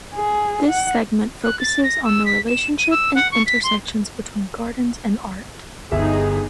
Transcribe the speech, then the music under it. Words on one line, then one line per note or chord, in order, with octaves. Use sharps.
This segment focuses on the relationship and intersections between gardens and art.
G#4
F#5
F#6
A6
A#6
E6
B6
E7
D#7
E6
F#5
C#6
B6
C6
G1 D#4 G#4 E5